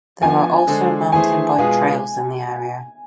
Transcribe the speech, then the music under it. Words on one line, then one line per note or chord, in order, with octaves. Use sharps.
There are also mountain bike trails in the area.
F3 B3 D4 G#5
D3 G#3 D4 A4 C5
E3 A3 E4 G#4 C5 G#5
B2 G#3 B3 F4 G#4